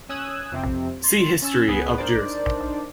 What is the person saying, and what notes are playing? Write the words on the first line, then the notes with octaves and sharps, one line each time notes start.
See History of Jersey.
C#4 D#6 E6 F#6 G#6
F2 C3 C4
C6 A6
C#4 E6 A6
C#2 B3 G#4 B4
D4 D#4 A#4 C5 D5